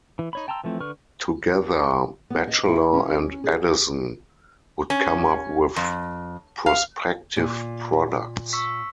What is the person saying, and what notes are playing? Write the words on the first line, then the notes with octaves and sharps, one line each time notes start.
Together Batchelor and Edison would come up with prospective products.
E3
D#4 C#5 B5
G5 A5 A#5 C6 E6
E3 F3 A3 C4
D3 B4 C#6 F6
B3
D#5
E4
C#4
G#4
C#4
F2
F5
A#2
C#6 E6 B6